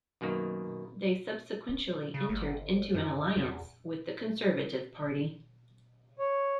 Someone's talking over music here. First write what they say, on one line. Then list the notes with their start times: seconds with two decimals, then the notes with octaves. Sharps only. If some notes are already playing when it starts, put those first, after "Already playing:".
They subsequently entered into an alliance with the Conservative Party.
0.21 F#2 B2 D#3 A#3
2.14 C#3
2.29 G1
2.94 F#2
3.36 E2
6.19 C#5